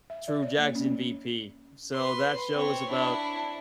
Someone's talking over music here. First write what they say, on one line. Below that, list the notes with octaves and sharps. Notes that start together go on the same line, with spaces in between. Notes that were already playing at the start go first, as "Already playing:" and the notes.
True Jackson, VP, so that show is about
E5
D5
C#5
A#3
C#4
B4 C6
C4 C#5
D4 E4